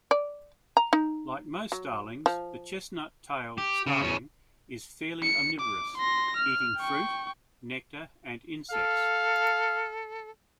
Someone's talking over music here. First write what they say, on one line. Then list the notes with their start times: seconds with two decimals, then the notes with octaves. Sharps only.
Like most starlings, the chestnut-tailed starling is fairly omnivorous, eating fruit, nectar and insects.
0.11 D5
0.77 A#5
0.93 D#4
1.72 F#3
2.26 F3
3.58 G4
3.87 C#3
4.02 E2 C#4
5.23 C#7
5.60 D6
5.98 C6 A#6
6.37 F6
6.77 G5 C#6
8.71 A4 F5